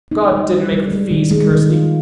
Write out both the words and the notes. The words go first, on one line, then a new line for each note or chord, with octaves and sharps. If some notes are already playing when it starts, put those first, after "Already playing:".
"God didn't make the fees, Kirsty!"
D#4
G3
G3
G3
G#3
D#3
G#3
D#3
F4